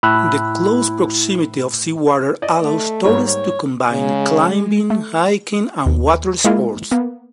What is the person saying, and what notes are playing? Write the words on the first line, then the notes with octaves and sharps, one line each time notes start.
The close proximity of seawater allows tourists to combine climbing, hiking and water sports.
A2 E4 B5 E6 F#6
D5 D#5
A3
G#2 G3 A#3 C#5
C#5
C#3 G#3
A3
D#2
G#3 A#3 E4 F4
A#3 B3